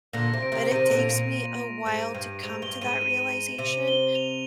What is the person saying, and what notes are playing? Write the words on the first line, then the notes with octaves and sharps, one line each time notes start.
but it takes me a while to come to that realization.
A#2 D3 A#6
C3
D7
C3 D#3
C3 D#3 D#7
A#2 D3
F7
A#2
D#7
G#2
G2
G#2 F7
G2 G7
G#2 D#7
D#7
C3 D#7
G7
F7